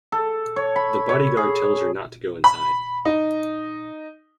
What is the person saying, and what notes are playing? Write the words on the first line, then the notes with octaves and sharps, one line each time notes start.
The bodyguard tells her not to go inside.
A4
C#5
B5
C#5
G#4
B5
D#4